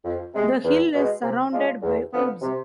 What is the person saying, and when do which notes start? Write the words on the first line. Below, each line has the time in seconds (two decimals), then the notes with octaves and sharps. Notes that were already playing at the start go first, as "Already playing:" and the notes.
The hill is surrounded by woods.
0.04 F2
0.34 C3 G#3
0.64 E2
0.93 B2 G#3
1.23 C3
1.53 G#3 D4 F4
1.82 E2
2.13 D3 F3 B3
2.42 C3